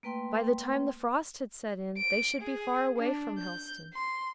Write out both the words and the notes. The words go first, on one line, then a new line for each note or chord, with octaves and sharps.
By the time the frost had set in, they should be far away from Helstone.
A3 A#3 B4 G5 C6
D7
G#4
D4
G6
C6